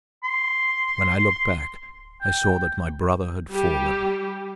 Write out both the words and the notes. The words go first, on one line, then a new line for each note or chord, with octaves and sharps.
When I looked back I saw that my brother had fallen.
C6
G5
G3 G4